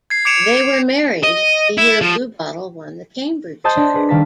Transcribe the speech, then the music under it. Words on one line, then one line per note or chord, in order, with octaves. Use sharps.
They were married "the year Bluebottle won the Cambridgeshire".
G#6 C7
D6 G#6 C#7 D7 E7 F7
D#5
E4
F3
C5 D#5 A5 C6 D#6 G6
D4 D5
G#4 B4
D#3 G3 F5 A5 A#6 B6